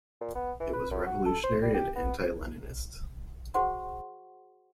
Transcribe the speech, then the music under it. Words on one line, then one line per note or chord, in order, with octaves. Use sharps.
It was revolutionary and anti-Leninist.
A#2
B3
E3
B4
F#2
F#4
A4
C5
G3
G4
B3
F#4 G#4 C5 F#5 C6 C#6